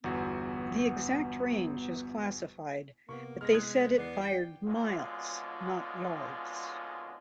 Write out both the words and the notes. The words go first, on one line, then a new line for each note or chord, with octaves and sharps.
The exact range is classified, but they said it fired "miles not yards".
G1 E2 B3 F#4
C3 A#3 B3 C#6
G#3 F6 A#6
D#6 F#6 G#6
E2 B3 D5 C7
G5
G#1 B2 D3 G#3 C#4 F4